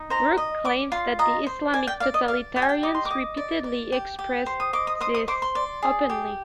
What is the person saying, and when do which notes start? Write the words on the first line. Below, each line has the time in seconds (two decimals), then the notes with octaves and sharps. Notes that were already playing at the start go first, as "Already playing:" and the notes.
Brook claims that the Islamic totalitarians repeatedly express this, openly.
Already playing: D#4
0.10 C5 A#5
0.37 D#5
0.65 D5 D6
0.92 F4 C6
1.19 D#5 A#5
1.47 C5
1.74 D5 G#5
1.87 G5
2.00 D5 F5
2.14 D#5
2.28 D5 F5
2.56 G4 G5
2.62 G#5
2.69 G5
2.83 D#5 D6
2.95 C6
3.05 D6
3.11 D#5
3.37 D5
3.64 D5
3.92 G4
4.19 G4
4.46 C5
4.60 D#6
4.73 D#5 D6
4.87 D#6
5.00 C5 D#6
5.14 D#6
5.28 C5 D6
5.42 C6
5.55 D5
5.83 G#4
6.10 G4